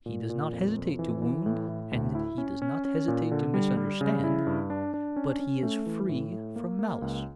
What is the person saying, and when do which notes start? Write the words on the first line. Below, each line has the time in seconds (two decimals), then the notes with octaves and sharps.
He does not hesitate to wound and he does not hesitate to misunderstand, but he is free from malice.
0.06 A#2
0.30 A#2
0.52 F2
0.76 F2
0.99 E3
1.22 E3
1.46 A2
1.68 A2
1.91 D2
2.15 E4
2.38 C#4
2.62 C#4
2.85 C#4
3.08 A#2
3.31 D3
3.54 G3
3.77 G3
4.01 C#3
4.24 E4
4.47 G2
4.70 D4
4.94 D4
5.16 C#4
5.40 C#4
5.63 A3
5.86 E3
6.09 A2
6.32 A2
6.56 A#3
6.79 A#3
7.02 C#2